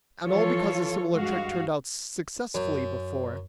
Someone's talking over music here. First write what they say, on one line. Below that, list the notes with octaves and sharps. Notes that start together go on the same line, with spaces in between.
And all because a similar trick turned out successfully before!
E3 F3 F4 A4 C#5
G2 G#3 F#4 F5
F#2